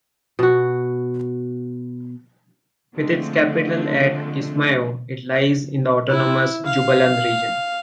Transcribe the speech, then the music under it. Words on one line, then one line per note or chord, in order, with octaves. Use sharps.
With its capital at Kismayo, it lies in the autonomous Jubaland region.
B2 F#4
D3 F3 G#3 A3 C4
E4
F5